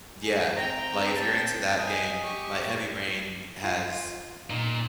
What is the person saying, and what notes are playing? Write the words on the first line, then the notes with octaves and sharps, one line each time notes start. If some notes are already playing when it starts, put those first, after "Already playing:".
Yeah, like, if you're into that game like, Heavy Rain has
G#4
C4 G5 A#5
A5
D#5 G#5
G4 C#6
F4
A#2 D#4